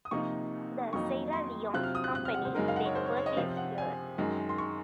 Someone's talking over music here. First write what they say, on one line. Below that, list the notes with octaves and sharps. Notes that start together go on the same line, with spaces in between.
The Sierra Leone Company then purchased her.
D#6
C3 F3 A#3 D#4 C#6
F2 D#3 F#3 A#3 D#4 C#6
C6
C3 F#3 C4 F4 F#6
F6
D#6
F#6
F#6
F6
F#5
C5
F#2 C#3 G#3 D#4 A#4
F5
F#5
C#5
C5
C#5
C#5
D#5
C3 F3 C4 F5
F#5
G#5
F#2 D#3 G#3
C6
C#6